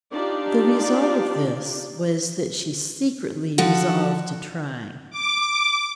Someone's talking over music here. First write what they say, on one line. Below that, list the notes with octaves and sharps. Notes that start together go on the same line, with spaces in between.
The result of this was that she secretly resolved to try.
D4 D#4 F4 G4 D5
D3 F3 F#4 A4
D6